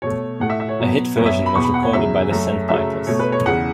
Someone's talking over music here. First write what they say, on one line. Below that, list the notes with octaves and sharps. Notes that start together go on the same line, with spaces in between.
A hit version was recorded by The Sandpipers.
B2 A3 C#5
A2 A3 F#5
E5
E5
C#5
B2 F#3 B3
F#2 F#3 B3 C#5
E5
B5
E2 B2 B3 C#6
B5
F#5
C#5
E2 C#3 F#3 E5
F#2 F#3 A3
F#2 C#3 F#3 A3 E5
B2 A3 C#5
B4
C#5
E2 C#3 E3 F#5